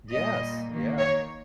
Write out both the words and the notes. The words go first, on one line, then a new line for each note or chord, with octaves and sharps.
yes. Yeah.
A#2 G3 A#3 D#5
D#3
A#3
C#5